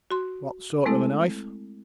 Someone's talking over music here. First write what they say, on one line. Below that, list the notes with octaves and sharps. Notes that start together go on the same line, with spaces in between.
"What sort of a knife?"
F#4 C6
G#3 A3 C4 E4 A4